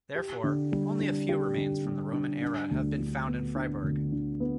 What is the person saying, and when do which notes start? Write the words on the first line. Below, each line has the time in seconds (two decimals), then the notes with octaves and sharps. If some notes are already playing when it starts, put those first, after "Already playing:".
Therefore, only a few remains from the Roman era have been found in Fribourg.
0.15 G4
0.44 D3
0.72 G3
1.00 D4
1.29 G4
1.57 D3
1.85 G3
2.13 D4
2.42 D4
2.71 D2
2.99 D3
3.27 B3
3.55 D4
3.84 D2
4.12 D3
4.40 B3